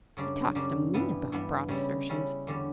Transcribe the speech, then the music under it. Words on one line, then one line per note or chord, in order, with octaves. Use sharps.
He talks to me about broad assertions!
F#2 C#3 G3 D4
F#2 C#3 G3 D4
G2 E3 G3 B3
G2 E3 G3 B3
C#3 G3 C#4 E4
C#3 G3 C#4 E4
E2 D3 G3 C#4